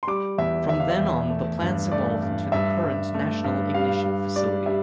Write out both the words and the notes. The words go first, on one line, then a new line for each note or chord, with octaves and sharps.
From then on the plans evolved into the current National Ignition Facility.
C6
G3 D6
E2 E5
E2 E5
F5
E5
E2
A3
G2
A3 D5
G2
G2 E5
G2
A3
G2
G3 F5
G3
G3 D5
G3 E5